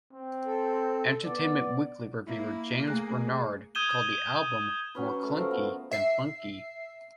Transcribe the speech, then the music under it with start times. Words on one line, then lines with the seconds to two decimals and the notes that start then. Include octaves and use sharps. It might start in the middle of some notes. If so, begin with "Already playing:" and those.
"Entertainment Weekly" reviewer James Bernard called the album "more clunky than funky".
0.13 C4
0.46 A4
1.24 B3 D5
2.27 A#3 E4
2.88 A3 G#4 F#6
3.75 D#6 G6 G#6 D#7 E7 G7
4.95 F#3 C#4 B4
5.09 B4
5.22 A3
5.37 F3 A3 A#4 C5
5.51 B3
5.92 E5 C7